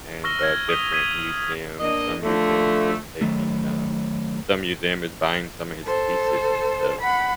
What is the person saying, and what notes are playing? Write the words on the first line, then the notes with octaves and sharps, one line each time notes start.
and, uh, different museums. Some museums is taking, um some museum is buying some of his pieces and stuff.
C#6 E6 F6 A#6 E7 G7
F6 G#6
D#6 B6 D#7 G7
D#6 G#6 A#6 B6 D#7 F#7
A#3 D4 D#5
D3 F3 A3
D#3 F#3 A3
A4 C5
F#5 B5